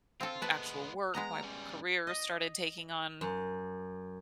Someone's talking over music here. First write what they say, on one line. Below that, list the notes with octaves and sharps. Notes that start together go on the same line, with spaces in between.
actual work, my career started taking on
C4 F4 A4
G#3 B3 B4 A5
G#3 B3 D#5 A#5
G3 C#4
D#5
F#2